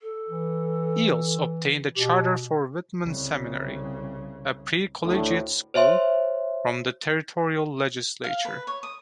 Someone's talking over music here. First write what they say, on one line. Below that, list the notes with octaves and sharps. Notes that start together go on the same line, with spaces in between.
Eells obtained a charter for Whitman Seminary, a pre-collegiate school, from the territorial legislature.
A4
E3
B2 G4
C2 C#3
D2 A2
C5 C#5 E5 C6
F5
B4
C#5
D#6